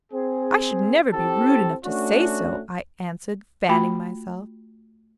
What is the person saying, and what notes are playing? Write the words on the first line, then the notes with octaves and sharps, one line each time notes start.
'I should never be rude enough to say so,' I answered, fanning myself.
C4 G#4
C4 E4 G4 A4 A5
A3 C#4 D4 F#4
A3 F4 F#4 G5 B5